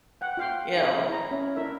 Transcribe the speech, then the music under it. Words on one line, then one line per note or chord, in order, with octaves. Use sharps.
you know?
F#5 G5
F4 F5 G5
E4 F4 G#4
E4 A#5
C#4
D4 E4 A#4 E5